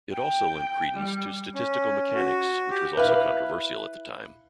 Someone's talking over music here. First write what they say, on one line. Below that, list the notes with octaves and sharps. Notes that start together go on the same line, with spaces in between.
It also lent credence to statistical mechanics, which was also controversial at the time.
G5
G3
C#4
F#4
G4
E4 B4 F5